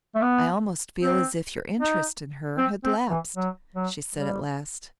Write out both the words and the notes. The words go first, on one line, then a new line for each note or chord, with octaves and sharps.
"I almost feel as if your interest in her had lapsed," she said at last.
A3
B3
C4
D#4
C4
C4
E3
F#3
F#3
G3